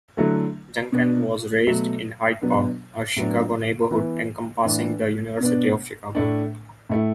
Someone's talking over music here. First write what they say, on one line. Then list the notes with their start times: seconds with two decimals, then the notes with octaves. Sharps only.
Duncan was raised in Hyde Park, a Chicago neighborhood encompassing the University of Chicago.
0.17 D3 F#3 A3 E4
0.92 B2 B3 D4
1.67 B2 F#3 A3
2.41 B2 F#3 B3 D4
3.16 A2 F#3 B3 D4
3.91 E3 B3 E4
4.65 A2 E3 D4
5.40 B2 B3 D4
6.15 A2 A3 D4
6.89 A2 A3 E4